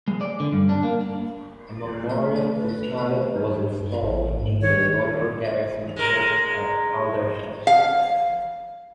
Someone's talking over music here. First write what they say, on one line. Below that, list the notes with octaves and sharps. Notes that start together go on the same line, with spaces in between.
A memorial to Scarlett was installed in the Royal Garrison Church at Aldershot.
G#3
D5
D3
G2
D4
A#3
A3
B4
G2
A1
G#2
D#3 C#5
G#3 A#4
F5